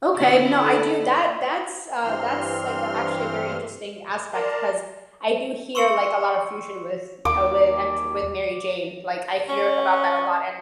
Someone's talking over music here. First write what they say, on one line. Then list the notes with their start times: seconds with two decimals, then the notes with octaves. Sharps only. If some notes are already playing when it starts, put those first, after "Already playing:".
okay, no, I do that that's, uh, that's, like, uh, actually a very interesting aspect, 'cause I do hear, like, a lot of fusion with, uh, wi and J with Mary Jane, like, I hear about that a lot, and
0.16 D3 E4
0.59 A4
2.03 G2 E3 C4 C6 F6
4.33 A#4 D5 A5 A#5 C6
5.75 C6 C#6 E6 C#7 F#7
7.25 D#2 D6
9.49 C#4